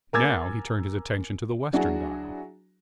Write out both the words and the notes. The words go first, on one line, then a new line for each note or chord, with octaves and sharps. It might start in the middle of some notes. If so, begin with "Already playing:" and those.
Now he turned his attention to the western dial.
A#4 G#5 D6 E6 G#6 A6
F#3 D4 E4 F#4 G#4